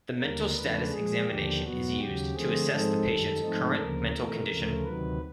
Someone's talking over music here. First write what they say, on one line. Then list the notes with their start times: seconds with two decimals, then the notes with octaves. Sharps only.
The mental status examination is used to assess the patient's current mental condition.
0.19 D#2 D3 G3 A#3 A#4
0.55 E2 C#3 F3 A3 D4 B4
0.90 A#2 F3 G#3 G#4
1.26 D#2 D3 F3 A#3 D4 G4
1.62 E2 B2 F#3 B3 F#4
1.97 D#2 C#3 F#3 G4
2.33 D3 F3 A3 C4 G#4
2.69 G#2 F3 G#3 C4 D#4 A4
3.04 F#2 D#3 G3
3.40 G#2 F3 A3 C4 D#4
3.76 D2 C#3 F3 A#3 A#4
4.12 C3 E3 A3
4.48 D2 C#3 F3 A3
4.83 D2 C3 D#3 F#3 B4